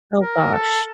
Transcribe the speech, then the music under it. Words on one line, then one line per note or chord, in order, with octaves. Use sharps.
Oh gosh.
A#4
A4